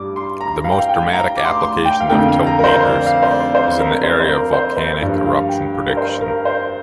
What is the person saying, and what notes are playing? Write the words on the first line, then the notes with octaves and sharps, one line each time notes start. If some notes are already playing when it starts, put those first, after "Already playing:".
The most dramatic application of tiltmeters is in the area of volcanic eruption prediction.
Already playing: G2 G3 D6
C6
A#5
F5
G5
F5
G5
A#5
D6
C6
D6
C6
G5
F5
F2 D3 A#3 G5
F5
A#5
A#4
C5
D5
F5
C5
D5
C5
A#4
C5
C5
A#4
C5
C5
G2 F3 A#3 D5
F5
G5
F5
A#4
C5
A#4
C5